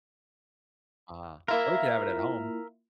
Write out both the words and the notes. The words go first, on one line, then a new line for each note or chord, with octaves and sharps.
Uh, or you could have it at home.
A#3 E4 F4 A#4 E5